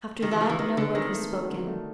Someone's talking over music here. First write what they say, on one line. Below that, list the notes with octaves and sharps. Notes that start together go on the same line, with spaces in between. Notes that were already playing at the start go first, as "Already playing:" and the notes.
After that no word was spoken.
D#3 G4
E3
F3 D#4
E3
D#3 B3
D3 G#3
D#3 C4
A3
F#3
D3
A3